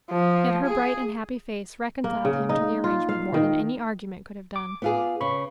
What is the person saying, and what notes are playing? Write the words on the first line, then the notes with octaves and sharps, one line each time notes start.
Yet her bright and happy face reconciled him to the arrangement more than any argument could have done.
F3
G#4
A#3
C#3
D#4
F4
F5
D#3
D6
B3 F4 G#4
C#3 B5 C#6